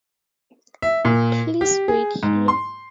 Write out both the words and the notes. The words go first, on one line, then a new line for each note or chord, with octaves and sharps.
Please wait here.
E5
A#2
G4
G#4
G#2
C6